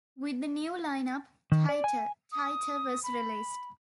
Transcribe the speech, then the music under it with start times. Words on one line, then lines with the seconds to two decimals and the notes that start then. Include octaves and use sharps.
With the new line-up, "Tighter, Tighter" was released.
1.52 D#3
1.69 D5
1.84 G#5
2.32 D#6
3.04 B5